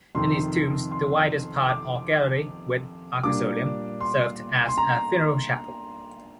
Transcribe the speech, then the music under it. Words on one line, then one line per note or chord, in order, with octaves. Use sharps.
In these tombs, the widest part or gallery with arcosolium, served as a funeral chapel.
F2 C3 D#3 C6
C6
D6
A#2 G3 A#3 D4 D6
C6
C6
A#5